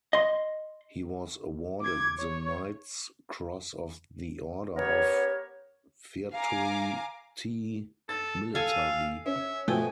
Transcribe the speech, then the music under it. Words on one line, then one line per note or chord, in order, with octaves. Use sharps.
He was awarded the Knight's Cross of the Order of Virtuti Militari.
D#5 C6
D6 G#6
C#5
B3 C#4 G4 A#4 C#5
F5 G#5 A#5 D6
A4 A6
A4 F5 G#5
C#4 E5
B2 F3 A3 C4 G5 G#5